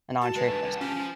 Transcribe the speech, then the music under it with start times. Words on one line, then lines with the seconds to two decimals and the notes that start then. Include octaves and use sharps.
an entrée first.
0.22 F#4 A5
0.35 D#3 G#3 B4 G#5
0.47 G2 A3
0.63 C2
0.81 D#3 F3 G#3 C#4 G4
0.96 F3 C5